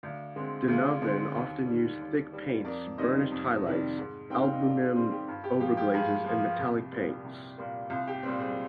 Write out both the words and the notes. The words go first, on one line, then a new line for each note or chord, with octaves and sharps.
Donovan often used thick paints, burnished highlights, albumen overglazes and metallic paints.
D2 D5 F5
D3 G#3 C4
D2 F4 G#4
D3 G#3 C4
D#2
D#3 G3
D#2
D#3 G3
F2 A#4 D5
C3 D#3 G3 C5 D#5
F2
C3 D#3 G3
G#2
D#3 G3 C4 G5
F5
D#5
G#2 A#4 D5
G#4 C5
D#3 G3 C4 G#4 C5
G4
G2 F4
G4
F3 A#3 G4
G4
G2 F4 G#4
F3 A#3 F4
C2 G4
A#2 G3 A#3
C2
A#2 G3 A#3
C2 F4
G4
A#2 G3 C4
G#4 C5